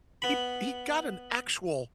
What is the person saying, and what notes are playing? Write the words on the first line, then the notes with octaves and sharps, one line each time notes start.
he he got an actual
B3 B5